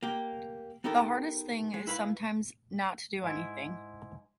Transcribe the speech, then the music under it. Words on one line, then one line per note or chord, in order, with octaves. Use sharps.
The hardest thing is, sometimes, not to do anything.
A#3 G4
B3 D#4 G4 A4 A#4
G#3
E4 B4 F5 B5
G#2 E4